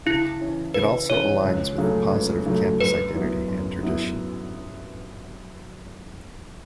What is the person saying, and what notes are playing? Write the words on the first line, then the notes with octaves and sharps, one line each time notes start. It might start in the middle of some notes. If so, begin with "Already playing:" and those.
It also aligns with the positive campus identity and tradition.
C#3 E4
E3 C#4
C#3 B4
E3 C#4 C#5
C#2
C#3 F#3 A3
C#2
C#3 F#3 A3
F#2 B4
F#3 B3 E4
F#2
F#3 B3 E4